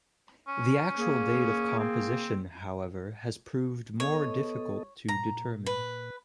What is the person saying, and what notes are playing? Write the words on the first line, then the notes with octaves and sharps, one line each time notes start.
The actual date of composition, however, has proved more difficult to determine.
C#4
A#3 G#4
C4
B3 A4 C#5 D#5
A#2 A#5
B4